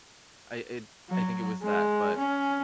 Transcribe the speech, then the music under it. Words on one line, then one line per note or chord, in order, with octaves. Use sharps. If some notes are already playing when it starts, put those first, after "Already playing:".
I, i I think it was that, but
F#3
G#3
C#4